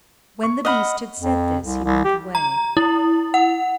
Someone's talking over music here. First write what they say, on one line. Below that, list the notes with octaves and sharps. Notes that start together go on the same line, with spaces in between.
When the beast had said this, he went away.
C#6
D#5 F#5 B5 F6
F2
C2
C2
G4
A#5
E4
F#5